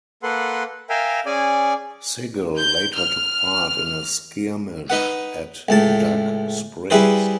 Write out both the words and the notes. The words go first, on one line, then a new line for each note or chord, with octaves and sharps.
Sigel later took part in a skirmish at Dug Springs.
A#3 A4 B4 F#5 C6
A#4 E5 F5 G5 G#5
C#4 G#4 D5 G#5
G6
F6
D#4 B4 F#5
C#2 A2 A5
G3 E4 G#4 B4 C5